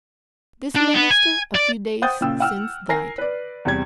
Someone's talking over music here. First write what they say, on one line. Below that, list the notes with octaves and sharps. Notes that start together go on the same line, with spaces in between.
This minister a few days since died.
D4
B3
G#5
D5
C5 F#5 G5 D#6 G6 A6
A#2 C#3 G5 E6
F#5 G5 E6 F6
A#4 G#5 A#6 C7
B4 D5
E2 C3 G3 G#6